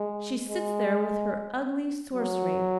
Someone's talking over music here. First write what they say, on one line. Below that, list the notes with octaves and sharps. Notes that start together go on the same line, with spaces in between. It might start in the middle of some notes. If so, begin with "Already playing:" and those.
She sits there with her ugly sorcery.
Already playing: G#3
G#3
F#3